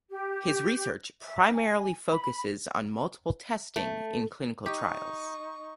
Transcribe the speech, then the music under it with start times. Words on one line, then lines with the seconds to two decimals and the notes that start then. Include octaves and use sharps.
His research primarily focuses on multiple testing in clinical trials.
0.10 G4
1.22 E5
1.53 G#5
2.10 B5
3.76 A3
4.66 D#4 G4 C#6